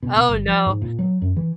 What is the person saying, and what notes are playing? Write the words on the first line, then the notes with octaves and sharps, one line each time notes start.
Oh no.
B2
B2
G1
F3
G#2
A#2
F#3
F#2
E3